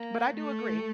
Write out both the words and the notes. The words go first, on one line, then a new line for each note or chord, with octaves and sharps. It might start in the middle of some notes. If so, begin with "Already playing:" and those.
But I do agree
Already playing: A#3
A3